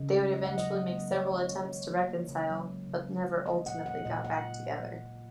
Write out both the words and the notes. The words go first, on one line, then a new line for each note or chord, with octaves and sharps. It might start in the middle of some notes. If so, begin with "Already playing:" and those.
They would eventually make several attempts to reconcile, but never ultimately got back together.
Already playing: C#3 D#5
G#3
A#3 D#5
F#5
F#3
D#5
F#3
A#3
D#3 C#5
D#3
D#3
D#3
A#3
A#3
C#3
F#3
G#3
C#3
G#3
G#3
A#3 D#5
A#2 F#5
A#3 F#5
A#2 D#5
A#3 F#5